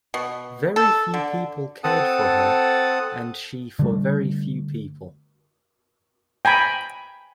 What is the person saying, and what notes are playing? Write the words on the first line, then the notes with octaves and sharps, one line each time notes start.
Very few people cared for her, and she for very few people.
B2
A4
D3
C4 A4 F#5 A5 D#6
D3 G3 A3
G5 G#5 A#5 B5